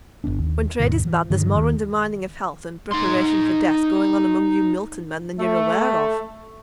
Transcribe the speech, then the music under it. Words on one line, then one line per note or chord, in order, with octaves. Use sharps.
When trade is bad, there's more undermining of health, and preparation for death, going on among you Milton men than you're aware of.'
G1 G2 B3 D4
D#2
D#2 G#2 B2 D#3
E3
G2 D3 D#3 F3
D#2 D#3
D#4 C6
A3